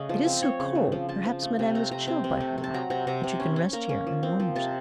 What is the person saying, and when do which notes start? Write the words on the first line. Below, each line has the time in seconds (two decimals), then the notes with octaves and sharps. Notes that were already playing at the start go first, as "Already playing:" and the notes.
"It is so cold, perhaps Madame is chilled by her walk; but you can rest here and warm yourself."
Already playing: C#3 A3 C#4 D#5
0.09 F3
0.26 C4
0.42 C4 C#5
0.60 C#3
0.75 F3
0.92 F3
1.09 F3 A5
1.26 F3
1.42 A3
1.59 C3
1.75 A3 A#5
1.91 C3 A#5
2.07 C4
2.24 C3
2.40 A3
2.58 C3
2.64 A5
2.74 F#3 A#5
2.90 C3 A#5
3.07 C3 A#5
3.24 C3
3.40 C#4
3.56 C#4
3.73 A#3 A#5
3.89 C#4
4.07 F3
4.23 C4
4.40 F3
4.55 C3 A5